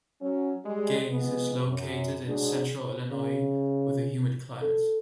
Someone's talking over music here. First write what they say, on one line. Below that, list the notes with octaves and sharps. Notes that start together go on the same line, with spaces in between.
Gays is located in Central Illinois, with a humid climate.
F#3 C#4
G3 G#3
F2 G#3 B3
F#2
G#2 F#3 G#3 D4 G#4
C#3
A4